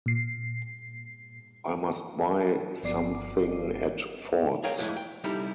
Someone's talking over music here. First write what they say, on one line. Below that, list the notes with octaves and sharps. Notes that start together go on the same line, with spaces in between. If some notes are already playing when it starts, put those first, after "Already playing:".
I must buy something at Ford's.
A#2 C7
G1 F3 B3 D5 D6 C7
G#4 A#4 C#5 F5 G5 G#5
F2 G#3 A3 E4
G5
C3 G3 D#4 E4 G4 A4